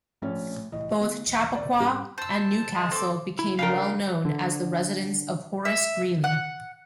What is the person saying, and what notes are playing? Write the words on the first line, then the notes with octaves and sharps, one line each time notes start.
Both Chappaqua and New Castle became well known as the residence of Horace Greeley.
A#1 A3 C#4
C2 A2 E3 D#5
D3 A3 B3
B1 E2
D5
G#2 G3 C#4 G4 F#5
C5 A5 E6
G#3
C4 A4 D6
E4
C#3 D4 A#4 F5 G5
D3
E5
F#5